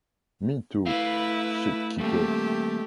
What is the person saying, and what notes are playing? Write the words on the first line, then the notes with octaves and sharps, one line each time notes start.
Me too, shit kicker.
A3 E4 B4 F5
G3 A3 A#3 G4